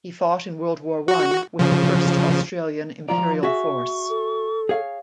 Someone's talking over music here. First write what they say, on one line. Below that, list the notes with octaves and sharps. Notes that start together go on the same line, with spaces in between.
He fought in World War One with the First Australian Imperial Force.
F#4
C#3 F3
F3 F4 D5 A#5
F#4 G#4 E5 C#6
A4
G#4 C#5 F5